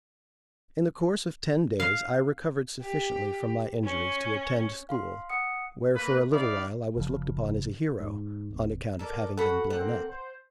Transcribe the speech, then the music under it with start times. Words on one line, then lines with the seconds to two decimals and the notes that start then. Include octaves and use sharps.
In the course of ten days I recovered sufficiently from my injuries to attend school, where, for a little while, I was looked upon as a hero, on account of having been blown up.
1.80 F5
2.81 G4
3.83 C#4
4.89 F5 C6
5.29 F#5 D#6 C#7
5.95 A#3 B4
6.31 D#4 E4 D5 F5
6.96 F#1 C#3 F3
8.00 G#2
8.50 D1
8.99 A4 A#4 D5
9.37 F#4 A4 F#5 B5
9.70 A#3 C4 F#5
10.09 C5